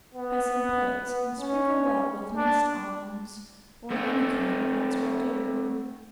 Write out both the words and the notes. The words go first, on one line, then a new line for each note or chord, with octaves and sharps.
Press in plates and sprinkle well with minced almonds, or any kind of nuts will do.
B3
B3
C#4
D4
A3 C4